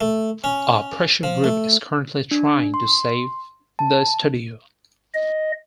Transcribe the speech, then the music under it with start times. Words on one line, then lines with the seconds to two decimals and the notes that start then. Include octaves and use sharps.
A pressure group is currently trying to save the studio.
0.01 A3
0.44 C#4
1.23 F3
1.44 A3
2.31 D4
2.74 C6
3.79 A5
5.14 D#5